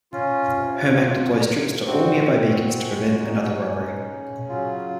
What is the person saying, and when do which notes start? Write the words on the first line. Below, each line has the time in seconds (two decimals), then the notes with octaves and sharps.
Hermack deploys troops to all nearby Beacons to prevent another robbery.
0.12 C#4 F4
0.57 C3
1.00 F#3
1.43 C3
1.86 C4 F#4
2.31 A#2
2.75 G#3
3.18 D#4
3.62 C#4
4.05 C#3
4.49 F#3 F4